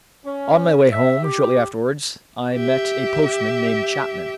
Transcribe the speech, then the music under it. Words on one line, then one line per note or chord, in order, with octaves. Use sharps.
On my way home shortly afterwards I met a postman named Chapman.
C#4
E5
G4
G4 E5